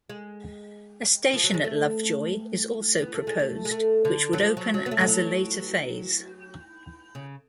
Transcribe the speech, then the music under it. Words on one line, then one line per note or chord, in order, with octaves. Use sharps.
A station at Lovejoy is also proposed, which would open as a later phase.
G#3
F3
F#3
G#3
A3
B3
A3
G#3
A3
G#3
A3
D3
F#3
F3
F#3
F#3
B3
A3
G#3
F#3
C#3